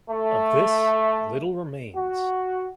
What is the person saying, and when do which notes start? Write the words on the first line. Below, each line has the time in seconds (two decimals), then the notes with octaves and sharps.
Of this little remains.
0.10 A3
1.95 F#4